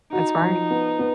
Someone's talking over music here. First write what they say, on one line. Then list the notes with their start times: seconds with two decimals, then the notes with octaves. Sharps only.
That's right.
0.12 D#4 F#4
0.42 F3
0.71 B3
0.99 B3